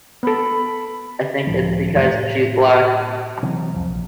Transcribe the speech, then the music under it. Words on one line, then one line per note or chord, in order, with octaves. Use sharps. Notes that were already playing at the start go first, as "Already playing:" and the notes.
I think it's because she's black.
B3 A4 B5
C#2 A2 D#3 F3
F2 C3 E3 A3
A2
C3 E3 F#3
C2 F2 F3
A#1